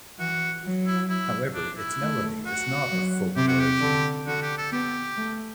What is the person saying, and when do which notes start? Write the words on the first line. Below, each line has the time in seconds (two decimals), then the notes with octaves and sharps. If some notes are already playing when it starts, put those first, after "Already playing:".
However its melody is not of folk origin.
0.19 E3 F#4
0.64 F#3
0.86 E4
1.09 E4
1.55 D4
1.77 E4
2.01 A3
2.46 F#4
2.91 F#3
3.36 C3 G4
3.48 F#4
3.60 G4
3.81 D3
4.27 D3 F#4
4.42 G4
4.58 A4
4.72 B3 G4
5.17 A3